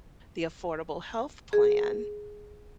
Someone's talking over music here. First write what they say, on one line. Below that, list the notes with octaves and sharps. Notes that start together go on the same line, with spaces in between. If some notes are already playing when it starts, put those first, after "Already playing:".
the affordable health plan,
G#4